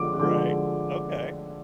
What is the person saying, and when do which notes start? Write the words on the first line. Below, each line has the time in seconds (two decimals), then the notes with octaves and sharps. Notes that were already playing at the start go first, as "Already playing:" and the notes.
Right. Okay.
Already playing: D3 F3 G#3 D6
0.20 D3 F3 G#3 D6